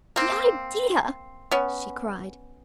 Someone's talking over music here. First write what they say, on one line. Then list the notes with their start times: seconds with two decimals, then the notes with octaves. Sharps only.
"The idea!" she cried.
0.16 A#3 C4
1.51 B3 C#4